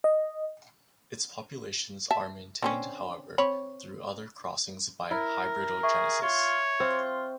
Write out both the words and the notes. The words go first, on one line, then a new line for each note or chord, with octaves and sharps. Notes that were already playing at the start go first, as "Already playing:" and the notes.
Its populations are maintained however through other crossings by hybridogenesis.
D#5
E5 A5
D3 C4 C#4
C4 C#5 B5
E4 A#4
G#4 E5 C#6
F4 C#5
C4 F4